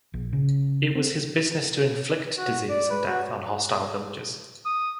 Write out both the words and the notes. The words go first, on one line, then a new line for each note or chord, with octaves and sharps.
It was his business to inflict disease and death on hostile villages.
A#1
C#3
C4
F#4
D5
B4
F#4
D#6